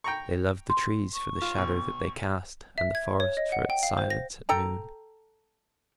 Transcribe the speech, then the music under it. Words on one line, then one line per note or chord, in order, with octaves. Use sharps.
They loved the trees for the shadow that they cast, and the forest for its silence at noon.
G5 A#5 C#6
C6
C#6
F4
B1
E5
G#6
C#5
D#5
F#5
G5
F5
C5
A#6
A4 G5 A#5